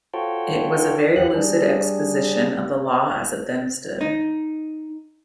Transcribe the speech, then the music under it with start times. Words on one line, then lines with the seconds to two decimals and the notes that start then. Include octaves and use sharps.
It was a very lucid exposition of the law as it then stood.
0.14 F4 F#4 A4 C5 C#5 G5
1.16 E2 G4 F5 F#5 F#6
1.34 G3 D4 G#4
2.53 G3
4.01 D#4